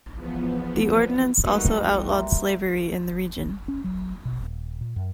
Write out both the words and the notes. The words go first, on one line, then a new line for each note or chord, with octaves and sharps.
The ordinance also outlawed slavery in the region.
E2 F3 B3
F2 G3 A3 A#3 D#4 F#4 B4
E5 A#5 C6
C#4
F#3
B2
D#1
A#2
F#2